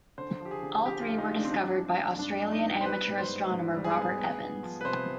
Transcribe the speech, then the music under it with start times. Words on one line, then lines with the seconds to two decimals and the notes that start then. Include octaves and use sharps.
All three were discovered by Australian amateur astronomer Robert Evans.
0.18 D3 C5
0.40 F3
0.45 G4
0.51 G#4
0.63 D3
0.85 F3 G4
1.01 F4
1.08 F2
1.18 D#4
1.30 G#3
1.36 D4
1.45 C4
1.52 G2 D4
1.74 F3
1.96 F3
2.18 G2 D4
2.41 F3
2.52 D#4
2.63 B3
2.81 C5
2.85 G3 B4
3.08 G#2
3.18 C5
3.29 G3
3.52 G#2
3.75 G3
3.84 G#4
3.96 B3
4.18 B3
4.41 B3
4.63 F3
4.81 B4
4.84 C3 C5